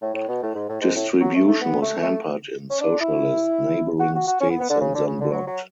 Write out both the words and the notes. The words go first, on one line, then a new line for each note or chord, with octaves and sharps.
Distribution was hampered in "socialist" neighbouring states and then blocked.
A2
A2
B2
A2
G#2
A2
G#2
A2
F#3
A3
A3
B3
A3
A3
C#4
D4
E4
F#4
F#4
F#4
C#4
B3
B3
D3
C#3
D3
C#3
D3
F#3
F#3